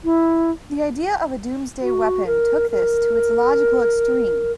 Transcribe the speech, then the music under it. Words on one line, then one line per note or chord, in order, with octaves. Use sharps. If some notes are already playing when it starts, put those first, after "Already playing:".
The idea of a Doomsday weapon took this to its logical extreme.
E4
F#4
A#4
A#4